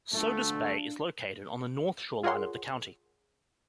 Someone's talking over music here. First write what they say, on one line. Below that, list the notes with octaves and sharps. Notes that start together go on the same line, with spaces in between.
Sodus Bay is located on the north shoreline of the county.
D2 D3 A3 D4 F4
F4 G#4 A#4 C#5 F#5 C6